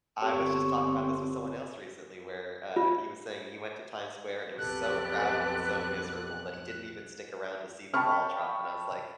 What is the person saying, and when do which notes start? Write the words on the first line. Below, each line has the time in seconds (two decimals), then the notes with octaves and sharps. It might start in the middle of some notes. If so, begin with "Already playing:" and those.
I was just talking about this with someone else recently, where, uh, he was saying he went to Times Square and it was so crowded and so miserable that he didn't even stick around to see the ball drop, and I was, like,
0.22 G1 C4 G4 A4 C#5 C#6
2.76 F4
4.58 B1 F2 G4 A4 B4 F#6
7.94 G5 A5 B5 C#6 F6